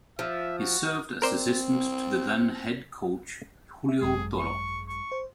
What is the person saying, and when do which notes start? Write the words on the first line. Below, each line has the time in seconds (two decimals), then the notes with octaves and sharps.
He served as assistant to then head coach Julio Toro.
0.19 F3 E5
0.59 F#4
1.22 C4 A#4 C5 D5
3.89 E5
4.01 G#1 F#2 G#3 G#4
4.39 C#6
4.88 C#6
5.12 C5